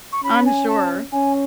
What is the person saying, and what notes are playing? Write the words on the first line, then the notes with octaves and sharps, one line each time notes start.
I'm sure.
C#6
C#4 B5
G#5
A5
C#4 G#5